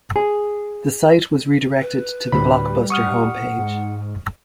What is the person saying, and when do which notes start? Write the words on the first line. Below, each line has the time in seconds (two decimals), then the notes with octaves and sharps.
The site was re-directed to the Blockbuster home page.
0.16 G#4
1.81 B4
2.32 D2 A2 G3 B5
2.90 F#5 C#6 D#6 F6
3.59 G#2